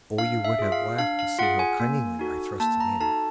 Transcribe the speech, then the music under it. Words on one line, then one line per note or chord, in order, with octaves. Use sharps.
Oh, you would have laughed to see how cunningly I thrust it in!
D4 F5
E5
F4 G#4
F5
D4 F5
F5
F4 G#4 F#5
G#5
A#3
D#4 F#4 A4
A#3 A5
A#5
D#4 F#4 A4 A5